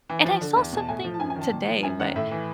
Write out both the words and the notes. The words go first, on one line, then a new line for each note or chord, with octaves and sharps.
and I saw something today, but
E3
F3
D3
E2
B2 A5
A2 G#5
F3
A5
F#2 G#5
G#5
D#3
A5
A#2
F3
F#2 G#5
D#3 F#5
A2 E5
E3